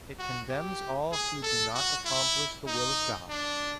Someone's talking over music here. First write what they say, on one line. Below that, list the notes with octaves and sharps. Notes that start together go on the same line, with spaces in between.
It condemns all who do not accomplish the will of God.
F#4
G4
G#4
A4
F#4
E4
D#4
D4